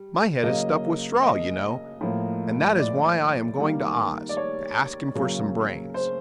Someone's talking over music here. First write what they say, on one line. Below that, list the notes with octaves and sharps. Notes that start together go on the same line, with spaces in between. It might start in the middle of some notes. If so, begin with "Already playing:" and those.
"My head is stuffed with straw, you know, and that is why I am going to Oz to ask him for some brains."
Already playing: G3
C#3 F#3 A#3 D#5
D#5
A2 F3 A#3
D5
D#3 G3 A#3
D5
C#5
C#3 F#3 A#3
C5